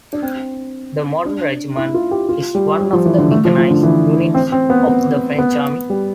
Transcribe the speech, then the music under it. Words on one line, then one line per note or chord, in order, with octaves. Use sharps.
The modern regiment is one of the mechanised units of the French Army.
D4
C4
D4
E4
F4
G4
F4
G3
G3
F3
E3
D3
A3
F3
F3
D3
E3
C4
C4
B3
B3
B3
G3